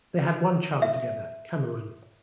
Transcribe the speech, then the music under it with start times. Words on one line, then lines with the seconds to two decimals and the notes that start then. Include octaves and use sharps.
They had one child together, Cameron.
0.82 E5